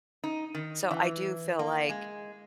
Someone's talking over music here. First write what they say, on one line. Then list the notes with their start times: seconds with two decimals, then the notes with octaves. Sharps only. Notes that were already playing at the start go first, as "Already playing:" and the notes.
So, I do feel like
0.24 D#4
0.55 D#3
0.91 E3
1.59 A#3
1.89 G#3